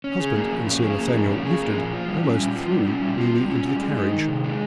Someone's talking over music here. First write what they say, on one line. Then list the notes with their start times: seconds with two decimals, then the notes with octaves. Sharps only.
Her husband and Sir Nathaniel lifted--almost threw--Mimi into the carriage.
0.04 C#4
0.20 G#4
0.35 A#3
0.52 F3
0.67 C#4
0.83 G#4
0.99 A#3
1.14 F3
1.30 C#4
1.45 G#4
1.61 A#3
1.77 F3
1.93 F4
2.08 G3
2.24 C#4
2.40 G3
2.55 F4
2.71 G3
2.87 C#4
3.02 G3
3.18 F4
3.34 G3
3.50 C#4
3.65 G3
3.81 G#3
3.97 D#4
4.12 D#3
4.28 C3
4.44 G#3